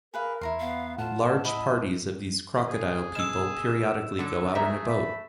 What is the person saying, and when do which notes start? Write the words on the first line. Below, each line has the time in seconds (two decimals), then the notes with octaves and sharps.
Large parties of these crocodile people periodically go out in a boat.
0.14 G#4 A#4 B4 F5
0.41 E2 E4 A#5 C6
0.60 B3 F5
0.98 A2 F4 F#5 A5
1.45 E4 D#5 B5
2.69 G#4
3.15 B2 E6 E7
4.19 D3 F#3 A4
4.55 A3 G#4 E5 A#5
4.89 B5